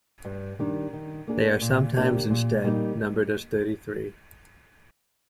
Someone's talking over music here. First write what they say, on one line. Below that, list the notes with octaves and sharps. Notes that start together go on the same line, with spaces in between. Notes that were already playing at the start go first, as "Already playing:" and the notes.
They are sometimes instead numbered as thirty-three.
G2
D#3 G3 D4
D#3
A#3 D4 G#4
A#2
F3 A#3 D4 G4
A#2
G3 A#3 D#4